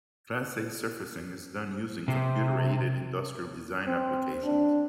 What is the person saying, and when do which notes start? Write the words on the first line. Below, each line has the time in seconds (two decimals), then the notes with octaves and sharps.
Class A surfacing is done using computer-aided industrial design applications.
2.08 C3
3.87 C4
4.44 D4